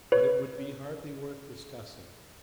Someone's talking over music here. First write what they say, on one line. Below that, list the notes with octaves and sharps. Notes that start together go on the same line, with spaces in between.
But it would be hardly worth discussing.
B4 C#5